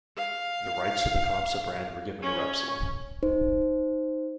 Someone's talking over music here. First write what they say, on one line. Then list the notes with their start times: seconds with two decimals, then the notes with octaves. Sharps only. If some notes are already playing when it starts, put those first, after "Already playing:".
The rights to the Campsa brand were given to Repsol.
0.16 F5
2.22 C#4
3.23 D#4 C5